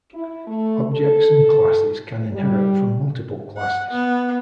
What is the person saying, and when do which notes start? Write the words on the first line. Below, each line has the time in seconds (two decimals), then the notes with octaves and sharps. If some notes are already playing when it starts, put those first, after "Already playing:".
Objects and classes can inherit from multiple classes.
0.14 E4
0.46 A3
0.92 A4
2.33 G3
3.58 F#5
3.91 B3